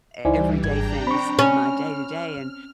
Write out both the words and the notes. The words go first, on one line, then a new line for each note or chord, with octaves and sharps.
everyday things in my day-to-day, and
C#2 E3 G3 D#4 E4 C5 D5 G#5
G#1 D4 G#4 G5 A#5 G#6
C4 B5 C#6
C#4 F6